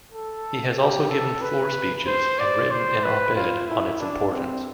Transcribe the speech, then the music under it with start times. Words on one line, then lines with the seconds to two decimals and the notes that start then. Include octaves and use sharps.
He has also given floor speeches and written an op-ed on its importance.
0.12 A4
0.77 G4
1.09 A4
1.41 B4
2.06 C5
2.39 D5
2.71 C5
3.03 B4
3.35 F4
3.68 E4
4.00 D4
4.33 C4